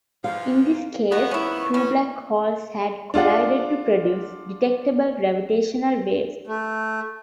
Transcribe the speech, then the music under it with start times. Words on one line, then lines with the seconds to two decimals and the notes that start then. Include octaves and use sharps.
In this case, two black holes had collided to produce detectable gravitational waves.
0.24 G#2 E3 F3 F5
1.12 D#2 F3 B3 F#4
1.31 C#4 E4 C#6
1.74 F2 E3 B3 C#4 C#6
3.14 D4 F4 G#4 F#5
6.47 A3